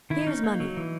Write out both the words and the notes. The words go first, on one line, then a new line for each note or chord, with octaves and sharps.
Here is money.
D#3 E4
C#4 D#4
A#3
F#3
E3